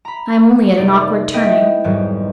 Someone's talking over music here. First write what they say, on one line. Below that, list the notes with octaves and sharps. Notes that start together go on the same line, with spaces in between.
I am only at an awkward turning.
A#5 B5
F1 A3 D#4 D5
B3 E4 D#5 E5 G5
B1 F2 G#2 D#3 F#3 G3